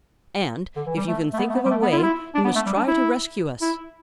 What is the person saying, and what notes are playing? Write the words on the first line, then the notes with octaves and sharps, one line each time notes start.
And, if you can think of a way, you must try to rescue us.
D3
E3
G3
A3
A3
B3
A3
B3
G3
A3
B3
E4
F4
E4
D4
B3
A3
G3
D4
E4
E4